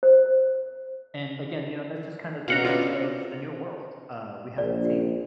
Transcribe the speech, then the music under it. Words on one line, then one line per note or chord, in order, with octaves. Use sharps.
And, again, you know, that's just kinda the risk of the new world, uh, we have to take
C5
B2 C#4 D4 F#4 F5 F#5 A#5
F4 A#4 D5 E5
A#1 D5